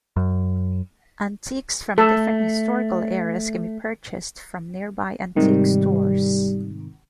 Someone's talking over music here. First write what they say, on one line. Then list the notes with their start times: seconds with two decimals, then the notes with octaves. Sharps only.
Antiques from different historical eras can be purchased from nearby antique stores.
0.16 F#2
1.98 A3 A4
5.36 G#2 C3 D#3 G3